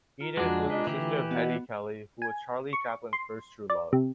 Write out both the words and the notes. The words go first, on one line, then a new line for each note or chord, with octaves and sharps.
Edith was the sister of Hetty Kelly, who was Charlie Chaplin's first true love.
F4 A#5
F2 G#3 D4 F#4
B4 D#5
D3 E3 A3 G4
B3 F#4 D#5 F#5
G#5
C#6
C6
D5
C3